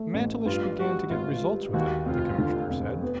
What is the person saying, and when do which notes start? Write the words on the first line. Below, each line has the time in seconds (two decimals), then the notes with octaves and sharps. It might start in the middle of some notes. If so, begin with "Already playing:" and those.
"Mantelish began to get results with it," the Commissioner said.
Already playing: A3
0.14 A1
0.46 G2 F4
0.78 G3 F#4
1.10 G#1 F4
1.42 G3
1.74 D#2 F#4
2.06 F1 F4
2.38 D3
2.70 F1
3.02 B3